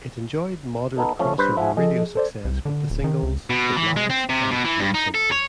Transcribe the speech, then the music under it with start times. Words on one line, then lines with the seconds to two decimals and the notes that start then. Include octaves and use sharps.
It enjoyed moderate crossover radio success with the singles "The Blast" and "Move Somethin'".
0.96 B3 D#4 A4
1.19 F3 A3 C#4
1.38 G2 B4 C5
1.57 F3 E5 F#5 G#5
1.77 F3 G#4 A4 D#5
2.16 A4 C5 D5
2.45 C2
2.65 D3
2.90 D1
3.04 D#3
3.23 C#2
3.50 B2
3.77 E3
3.96 G#3
4.10 C4
4.30 C3
4.52 B2
4.65 E3
4.80 G2
4.94 D#4
5.14 A4
5.31 C#5